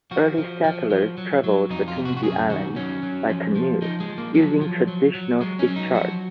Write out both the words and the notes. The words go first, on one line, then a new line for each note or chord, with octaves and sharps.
Early settlers traveled between the islands by canoe using traditional stick charts.
F3 F#4
F3
F3
F3
F#3
F#3
F2 D#4
F4
C3
F#4
F#4
F#2 G#4
D#3 F#4
F#3 C#4
F#3
F3
F3
F3 D#4
G#3
F3
A#3
F3 F#3
F3
F#3
F#3
F#3 G#3
C#4
F#3
D#4
F3 F#4